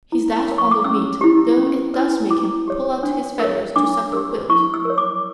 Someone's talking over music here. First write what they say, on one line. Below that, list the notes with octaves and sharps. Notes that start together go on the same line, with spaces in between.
He's that fond of meat, though it does make him pull out his feathers to suck the quills.
E4
A#4 C#5
C#6
D6
C#4 E6
E4 G4
C#4
E4 B4
E4 D6
G4 C#5
D4
A#4 C#5
D4 D6
G4 A#4 E6
E4 C#6
E6
A#4 C#5
D6